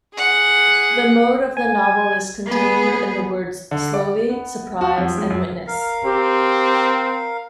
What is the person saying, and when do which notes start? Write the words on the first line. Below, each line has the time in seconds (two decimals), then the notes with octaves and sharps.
The mode of the novel is contained in the words Slowly, Surprise, and Witness.
0.13 G#4 F#5
1.57 G#5
2.46 B3 G#4
3.71 D3
3.94 D5
4.29 B3
4.81 F#4
4.97 F2
5.18 G#3
5.30 F#2
5.67 A#4 F5
6.05 C4 G4